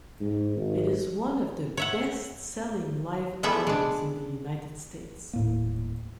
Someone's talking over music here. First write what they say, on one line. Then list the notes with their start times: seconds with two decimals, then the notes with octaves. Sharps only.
It is one of the best-selling live albums in the United States.
0.21 G#2
0.56 G#1
1.77 C#5 E5 F#5
3.43 G3 B3 G#4 A4 B4 E5
3.67 G#3 D4
5.33 D#1 A2 A#3